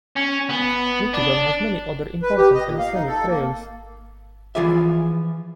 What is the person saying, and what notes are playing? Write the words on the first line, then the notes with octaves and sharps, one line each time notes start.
Michigan has many other important and scenic trails.
C#4
B3
D4
B4
G4
D#5
A#2
F5
D#4
A4
A#3
E3 F3 F4 G#4 D5 E5